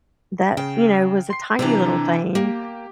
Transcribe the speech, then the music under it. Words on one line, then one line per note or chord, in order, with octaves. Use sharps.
that, you know, was a tiny little thing,
C#3 G5
C6 C7
C3 E3 D4 D5 A#5
A#3 G4